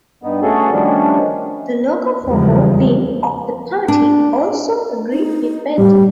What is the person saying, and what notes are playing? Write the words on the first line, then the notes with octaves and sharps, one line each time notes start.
The Locofoco wing of the party also agreed with Benton.
G2 B3 D#4
A3 C#4 F#4 G#4 A4
D#3 F3 G3 A3 C#4 D4
E2 C#3 E3 F3 G3 G#3
D4
D#4
A2 G3 G4